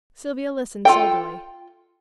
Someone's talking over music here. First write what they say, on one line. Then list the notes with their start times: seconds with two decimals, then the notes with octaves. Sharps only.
Sylvia listened soberly.
0.85 F4 A4 G5